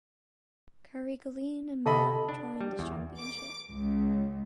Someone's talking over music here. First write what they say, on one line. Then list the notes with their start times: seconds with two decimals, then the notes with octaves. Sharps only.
Carrigaline and Mallow joined the championship.
1.86 C3 A4 D#5 B5
2.29 D4
2.61 G3
2.79 E2
3.18 D6
3.71 C#2